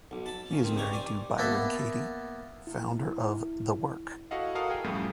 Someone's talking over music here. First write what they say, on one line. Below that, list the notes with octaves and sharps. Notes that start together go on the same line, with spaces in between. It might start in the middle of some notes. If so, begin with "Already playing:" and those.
He is married to Byron Katie, founder of The Work.
B1
A5 B5
C#3
D#3 C4
G2 G4 A#5 C#6
C5 D5 G#5
A#3 B3 A4 E5
E4
E4
E4 F#4 A4 D#5 F5 F#5
F#4 A4 A#4 F5 D#6
G#4 A#4 G5
F#2 A2 C#3 F3 G3 A3